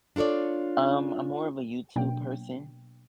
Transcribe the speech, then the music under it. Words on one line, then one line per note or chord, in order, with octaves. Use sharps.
Um, I'm more of a YouTube person,
D4 F4 A4 C#5 D5
B2 F#3 A#3 D4 G5